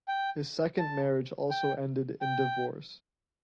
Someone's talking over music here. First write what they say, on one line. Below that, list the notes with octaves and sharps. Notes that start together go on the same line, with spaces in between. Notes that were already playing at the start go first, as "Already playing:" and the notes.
His second marriage also ended in divorce.
G5
A5
G5
G5